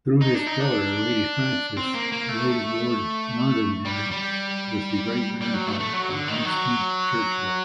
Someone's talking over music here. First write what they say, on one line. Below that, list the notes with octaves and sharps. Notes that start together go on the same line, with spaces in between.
Through his daughter Lady Frances, Lord Londonderry was the great-grandfather of Winston Churchill.
D#4
D4
D#4
D4
C4
A#3
A#3
A3
G3
G3
G3
F#3
A3
A3
F#3
D3
D#3
F#3